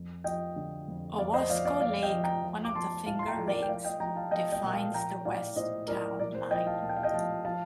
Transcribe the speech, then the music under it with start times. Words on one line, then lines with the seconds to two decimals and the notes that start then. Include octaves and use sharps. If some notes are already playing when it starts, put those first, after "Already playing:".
Owasco Lake, one of the Finger Lakes, defines the west town line.
Already playing: F2
0.24 F3 D#5 G5
0.56 D3
0.88 F2
1.18 F2 D5 F5
1.34 C5 D#5
1.50 F3 D5 F5
1.65 D5 F5
1.81 F2 D5 F5
2.03 D#5 G5
2.13 F3
2.24 G5 A#5
2.44 F3
2.65 D6
2.75 F3 A5 C6
3.06 A2 F5 A5
3.19 C6
3.27 G5 A#5
3.37 F3
3.48 A#4 D5
3.63 G5
3.69 F3 D5 F5
3.84 D#5 G5
4.00 F3 G5 A#5
4.16 F5 A5
4.31 F3 D#5 G5
4.52 D#5 G5
4.64 A#2
4.73 F5 A5
4.94 F3 G5 A#5
5.25 A2 D5 F5
5.56 A2 C5 D#5
5.88 A2 A#4 D5
6.20 A#2 A#4 D5
6.35 C5
6.50 F3 D#5 G5
6.66 F5 A5
6.82 A#2 A5
6.89 G5
6.97 F5
7.03 D#5 G5
7.14 F3 F5 A5
7.45 F3 F5 A5